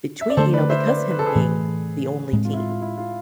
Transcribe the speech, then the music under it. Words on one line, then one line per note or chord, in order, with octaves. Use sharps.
between you know, because him being the only teen.
E5
D5
D3 A3 D4 A4 C5
B4 D5
C5 E5
B4 D5
B4
A4
G#4 B4
A2 E3 A3
A2 G#3 C4
F4
E4
F4
F4
E4
F4